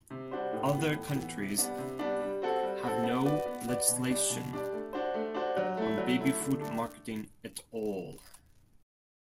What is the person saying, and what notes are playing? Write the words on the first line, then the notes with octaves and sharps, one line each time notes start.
Other countries have no legislation on baby food marketing at all.
C3
G3 D4 F#4 C5
A2
B3
E3
A2
E3 B3
C3
G3 B3 D4
C3
G3 B3 D4
G3
C4 F#4 A4
G3
C4 F#4 A4
B3
F#4 B4 D5
B3
F#4 B4 D5
B2
G3 D4 G4 D5
B2
G3 D4 G4 D5
A3
D4 F#4 C5
A3
D4 F#4 C5
F#3
A3 E4
F#3
A3 E4
D3
A3 D4 A4